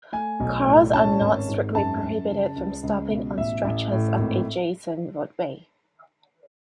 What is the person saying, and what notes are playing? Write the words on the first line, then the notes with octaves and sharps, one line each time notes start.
Cars are not strictly prohibited from stopping on stretches of adjacent roadway.
A3 G#5
B1
A2
C#4 A5
G#1
G#2
F#2 A5
F#2
C#3
C#2
C#2
B2
A1 E5
A1
A2
G#1